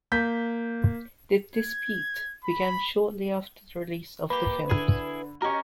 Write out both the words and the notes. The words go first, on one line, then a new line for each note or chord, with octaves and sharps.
The dispute began shortly after the release of the films.
A#3 G6 B6
G#6
B5
A#3 G4 B4 B5
D3 E4 G#4
C#4 F#4 G4 A#4 D#5 A#5 C#6